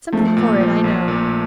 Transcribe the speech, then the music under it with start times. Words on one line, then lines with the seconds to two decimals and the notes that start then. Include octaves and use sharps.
Something horrid, I know.
0.12 F3 A3
0.37 A#2
0.60 F3
0.84 A#1
1.08 A#2